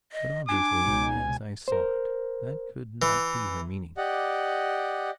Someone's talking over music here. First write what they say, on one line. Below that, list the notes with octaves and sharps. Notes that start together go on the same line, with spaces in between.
But obviously, as I saw it, that could not be her meaning.
D#5
D4 G#5 D6
C#2 B2 D#4
A#4 C5
E3
G4 D5 D#5 F#5